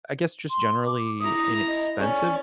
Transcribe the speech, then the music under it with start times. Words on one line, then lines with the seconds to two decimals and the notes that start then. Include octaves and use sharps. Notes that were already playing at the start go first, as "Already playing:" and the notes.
I guess, just generally inexpensive
0.50 C6
0.86 D6
1.20 E4 A#5 D#6
1.68 D#5
1.99 C#4 D5